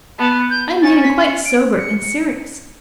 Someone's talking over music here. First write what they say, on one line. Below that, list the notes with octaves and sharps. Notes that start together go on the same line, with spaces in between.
I am getting quite sober and serious.
B3 A5
G6
C#4 A6
B6
C#7
D7
C#7